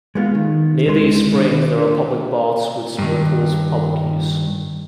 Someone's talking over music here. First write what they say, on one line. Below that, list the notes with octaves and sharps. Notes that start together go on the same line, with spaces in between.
Near these springs there are public baths with small pools for public use.
G#3 B3 F4
D#3
D2 G#3 B4 C6
D#3 D4
G2 D#3